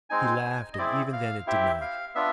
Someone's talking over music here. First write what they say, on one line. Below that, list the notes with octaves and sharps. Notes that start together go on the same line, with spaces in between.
He laughed, and even then it did not.
G#3 C4 D#4 G#5
D#5
C4 E4 G#4 D5
F5
C4 E4 G4 E5
F5
B3 D4 F4 E5